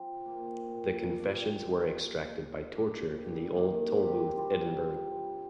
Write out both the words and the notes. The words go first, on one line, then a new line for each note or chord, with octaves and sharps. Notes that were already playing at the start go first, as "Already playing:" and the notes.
The confessions were extracted by torture in the Old Tolbooth, Edinburgh.
Already playing: F3 C4
A#3 F4
A#2
G3 D4
D#3
A#3 F4
D#3
A#3 D4
G2
D#3 A#3
C3
G3 C4 F4